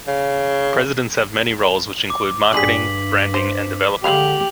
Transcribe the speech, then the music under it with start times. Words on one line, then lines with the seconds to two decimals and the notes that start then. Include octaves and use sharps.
Presidents have many roles which include marketing, branding and development.
0.08 C#3
2.10 D6
2.53 G2 D3 G3 G#4 B6 F#7
3.34 C5
4.04 D3 G#3 G4 F5 B5 F7 F#7